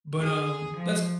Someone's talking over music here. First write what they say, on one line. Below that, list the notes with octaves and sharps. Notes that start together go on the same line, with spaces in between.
But, um, that's
G#4
F3